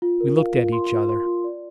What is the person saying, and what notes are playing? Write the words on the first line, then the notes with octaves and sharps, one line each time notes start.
We looked at each other.
F4
A#4
F5
F4
C6
F4
C6
F4
D5